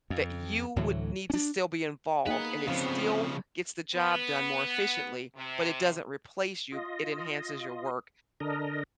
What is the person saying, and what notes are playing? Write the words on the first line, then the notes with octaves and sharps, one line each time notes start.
that you would need to still be involved and it still gets the job done more efficiently, but it doesn't replace you, b it enhances your work
F2
D2 A2 E3 F#3
C#4 D4
A#3 D#4 G#4 B4 F#5
C#3 F3 C4 F5
B3
C3
F4 D#5
D3 D4 A#4 D#5